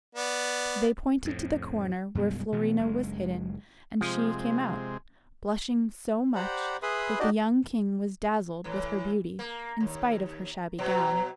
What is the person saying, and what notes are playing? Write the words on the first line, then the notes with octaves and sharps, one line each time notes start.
They pointed to the corner where Florina was hidden, and she came out, blushing so much, that the young king was dazzled with her beauty, in spite of her shabby gown.
B3 D5
F2 A2
F#2 B2 G3 G#3
B2 E3 B3
F#1 G#3
C3 F3 G#3
G4 C5 D5 F#5 A#5 B5
G#4 B4 E5 B5 C6 D#6
D4 D#4 F#4 G4 D5 D#5
A2 E3
A#3
D#2
B2 F#3